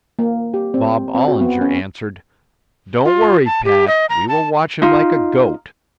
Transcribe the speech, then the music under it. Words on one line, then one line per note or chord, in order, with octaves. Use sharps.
Bob Ollinger answered: "Don't worry, Pat, we will watch him like a goat."
A#3
G4
C4
C4
F#4
B3
C#4
F4
A5
G4
D#5
A#5
A5
D#4 F4